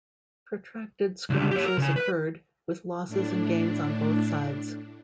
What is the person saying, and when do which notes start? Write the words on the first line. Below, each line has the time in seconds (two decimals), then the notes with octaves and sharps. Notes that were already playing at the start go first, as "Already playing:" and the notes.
Protracted skirmishes occurred, with losses and gains on both sides.
1.30 C#2 D3
1.51 G4 C#5
1.65 A#4
1.78 C#3 G#5
1.96 B4
3.07 A2 D4